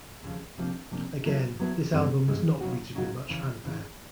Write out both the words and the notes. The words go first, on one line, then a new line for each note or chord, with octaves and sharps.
Again, this album was not greeted with much fanfare.
D#2 C#3 F3
C3 F3 A#3 D4
C3 F3 A#3 D4
F#3 B3 E4 A4
F#3 B3 E4 A4
G2 E3 G#3 C4
G2 E3 G#3 C4
C#3 F#3 B3 D#4 F#4
C#3 F#3 B3 D#4 F#4
E2 C#3 E3
E2 C#3 E3